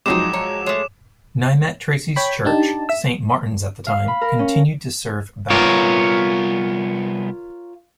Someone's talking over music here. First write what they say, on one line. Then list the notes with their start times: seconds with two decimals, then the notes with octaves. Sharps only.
Nymet Tracey's church, Saint Martin's at the time, continued to serve Bow.
0.06 F3 F#3 G#3 C4 C#4 D#4 D6 E7
0.33 C#5 A#5
0.66 G#3 A3 C#5
2.16 C#5 G5 B5
2.45 D4 D#4 G4 A5
2.89 E5 E6
3.87 F5
4.08 B5
4.21 A#4
4.39 C#4
5.50 C2 B3 F4 A#4 C#5